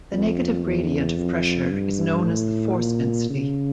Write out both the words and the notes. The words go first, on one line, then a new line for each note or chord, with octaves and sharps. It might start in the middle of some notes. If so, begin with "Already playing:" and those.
The negative gradient of pressure is known as the force density.
F2
E2
F2
G2
A2
A#2
C#3